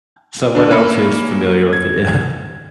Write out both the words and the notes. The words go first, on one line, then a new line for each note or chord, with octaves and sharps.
Someone else who's familiar with it. yeah.
D3 D4
A#3 C#4 B5 C#7
G#6